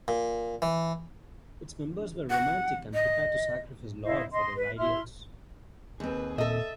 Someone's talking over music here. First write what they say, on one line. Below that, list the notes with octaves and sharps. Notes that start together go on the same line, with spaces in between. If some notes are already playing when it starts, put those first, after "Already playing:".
Its members were romantic and prepared to sacrifice a lot for their ideals.
A#2
E3
F#5
D#5
E4 C5 D#5 F5
D#5 C6
B4
E4 E5 C6 F6
D#2 C4 G#4 B4
A#2 A4 D#5 E5